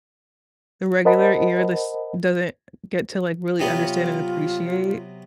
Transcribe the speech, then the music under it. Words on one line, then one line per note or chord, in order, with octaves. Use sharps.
the regular ear lis doesn't get to, like, really understand and appreciate.
A#4 C5 D#5 F#5 A5 B5
C3 F#3 B3 F4